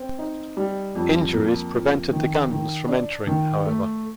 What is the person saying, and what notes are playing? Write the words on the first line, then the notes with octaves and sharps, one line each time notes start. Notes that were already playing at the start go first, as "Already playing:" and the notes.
Injuries prevented the Gunns from entering, however.
Already playing: C4
D#4
G3
F2
A#3
F2
D#3
D#3
D4
D#3
A3